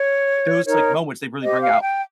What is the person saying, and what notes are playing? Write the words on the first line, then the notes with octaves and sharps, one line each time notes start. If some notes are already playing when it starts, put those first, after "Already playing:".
those, like, moments, they really bring out,
Already playing: C#5
D#4 A#4 C#5
G4 C5 D#5
F5
G5